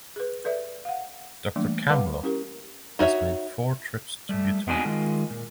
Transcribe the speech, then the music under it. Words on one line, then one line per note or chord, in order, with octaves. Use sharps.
Doctor Kamler has made four trips to Bhutan.
G#4 B4
A4 B4 D5 E5
F5 F#5
E3 G3 A3 A#3 D4
G3 B4 F5 F#5 A5 D6
C#4 E4 G4 A#4
D#4 F#4 C#5 E5
G3 A3
B3 C4 D4 D#4 F#4 G#5
D#3 G#3 F4
A#2